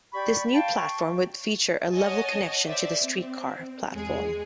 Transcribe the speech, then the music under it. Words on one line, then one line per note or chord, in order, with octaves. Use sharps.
This new platform would feature a level connection to the streetcar platform.
G4 D5 B5 C#6
F5 G5 A5
C#6
C#5 D#5 F#5 G#5 A5
C5 D5 E5
C4
E2 G#3 G#4